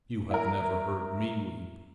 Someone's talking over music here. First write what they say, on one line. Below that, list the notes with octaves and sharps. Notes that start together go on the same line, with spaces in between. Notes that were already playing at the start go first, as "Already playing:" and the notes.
You have never heard me weep.
E4 A#4